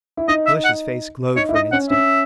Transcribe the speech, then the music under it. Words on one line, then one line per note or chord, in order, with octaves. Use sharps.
Felicia's face glowed for an instant.
E4
D#4 D#5
E5
F#5
D#4 C#5
E4
D#4 D#5
C#4 F#5
C#4 E5